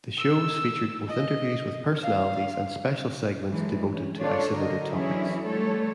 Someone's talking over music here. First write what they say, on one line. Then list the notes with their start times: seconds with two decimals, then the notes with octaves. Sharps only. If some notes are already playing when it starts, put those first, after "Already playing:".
The shows featured both interviews with personalities and special segments devoted to isolated topics.
0.18 E6
1.08 D#5
2.03 F5
3.49 E3 F#3 G#3 D4
3.88 C#4
4.20 D4 F4 A4 C#5
4.54 D3 F#4 A#4 D#5
4.91 E3 F#3 C#4 D4 E4 G#4
5.46 F3 G3 A3 A4 C#5